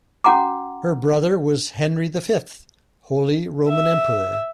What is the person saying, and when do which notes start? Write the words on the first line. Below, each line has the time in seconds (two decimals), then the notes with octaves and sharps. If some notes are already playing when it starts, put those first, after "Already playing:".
Her brother was Henry the Fifth, Holy Roman Emperor.
0.24 C#4 F#4 F#5 A#5 D6
3.68 E5